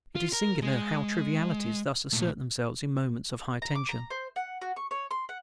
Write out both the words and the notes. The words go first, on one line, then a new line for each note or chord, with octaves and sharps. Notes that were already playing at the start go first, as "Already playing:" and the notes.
It is singular how trivialities thus assert themselves in moments of high tension.
F4
A#4
G#3
A#2 A3
A#5
D6
A#5
C5
F#5
F#4
C#6
C#5
C6
F#5